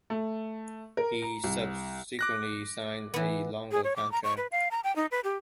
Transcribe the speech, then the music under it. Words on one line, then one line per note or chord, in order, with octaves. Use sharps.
He subsequently signed a longer contract.
A3
A#4
A#5
C2
D6 F#6 A#6
E3 B3
G#4
C#5
D6
A#5
C#6
B4
F5
A#5
G5
D#4
B4
G4